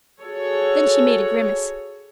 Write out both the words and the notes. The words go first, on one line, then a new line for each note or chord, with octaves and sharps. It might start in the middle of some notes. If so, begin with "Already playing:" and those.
Then she made a grimace.
F#4 G#4 A4 C#5